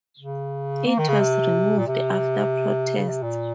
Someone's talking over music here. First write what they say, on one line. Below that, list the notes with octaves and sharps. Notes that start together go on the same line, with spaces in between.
It was removed after protests.
C#3
A#3
D#3
C#3
C3
A#2
C3
C#3
C3
A#2